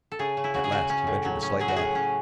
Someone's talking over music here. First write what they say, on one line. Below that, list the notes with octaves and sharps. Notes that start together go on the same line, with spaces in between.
At last he ventured a slight laugh.
A4
C#3 G#4
C#3
E4
C#3 F#4
G#4
C#3 F#4
C#4
A2
F#3
C#4
F#3 G#4
F#4
A2 G#4
C#4